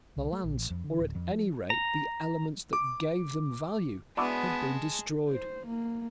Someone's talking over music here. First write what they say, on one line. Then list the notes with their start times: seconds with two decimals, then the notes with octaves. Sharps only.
The lands, or at any rate, the elements that gave them value, have been destroyed.
0.17 C2
0.32 A3
0.44 A#1
0.57 A1
0.71 F2
0.84 D3
0.99 D1
1.15 F2
1.30 F3
1.70 A#5
2.73 D6
4.17 G#3 B3 D4 E4 F#4 A5
5.30 C5
5.66 A#3